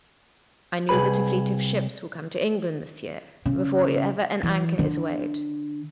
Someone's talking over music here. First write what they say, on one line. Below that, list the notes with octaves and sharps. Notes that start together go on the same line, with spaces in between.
I knew that a fleet of ships will come to England this year, before ever an anchor is weighed.
C2 B2 G#4 B4 B5
C#3
E3
D3